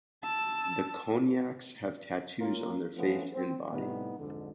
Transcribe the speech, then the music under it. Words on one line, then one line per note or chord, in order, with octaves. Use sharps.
The Konyaks have tattoos on their face and body.
A5 E6
A#3 C#4 F4 A#4
F3 A3 B3 C#4
C4
A2 C3 G3 B3 D#4
B1 F2 G#2 D3